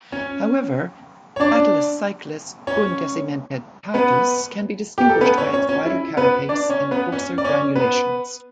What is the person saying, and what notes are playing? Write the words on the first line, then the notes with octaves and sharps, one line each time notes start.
However, "Atelecyclus undecimdentatus" can be distinguished by its wider carapace and coarser granulations.
C#4 C#5
C#5
D4 D5
C#4 C#5
B3 B4
G4
A4
B3 B4
C#4 C#5
C#4 C#5
C#4 C#5
E4
B3 B4
D4 D5
C#4 C#5
B3 B4
C#4 C#5
D5
C#4 C#5
B3 B4